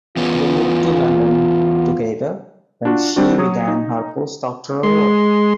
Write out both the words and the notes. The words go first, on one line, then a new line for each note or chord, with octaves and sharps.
They moved to London together when she began her postdoctoral work.
E2 B3 C#4 F4
D4 F4 F#4
G3 C4 D4 F#4
F#3 C#5 D#6
D#4
G#3 C6